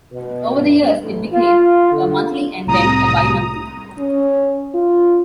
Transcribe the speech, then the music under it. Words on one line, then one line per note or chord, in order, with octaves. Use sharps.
Over the years it became a monthly and then a bi-monthly.
B2
G2
A1
F4
D3
C2 A2 A#5 D#6
C#4
F4